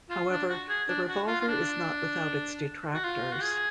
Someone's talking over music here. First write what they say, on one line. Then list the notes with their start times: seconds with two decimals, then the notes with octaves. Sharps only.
However, the revolver is not without its detractors.
0.10 F4
0.30 D4
0.49 F#4
0.69 G#4
0.88 D4
1.08 F#4
1.27 F4
1.40 F4
1.48 D4
2.94 F#4
3.04 F4
3.32 F#4
3.42 G#4